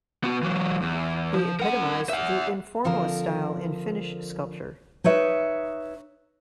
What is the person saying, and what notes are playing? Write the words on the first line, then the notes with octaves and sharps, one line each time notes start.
He epitomised the Informalist style in Finnish sculpture.
B3 F#4
E3 F#3
E2
F3
A#4 F#5
E5 F#5
D3 F3 C4 A4 A#4
D#4 B4 C#5 E5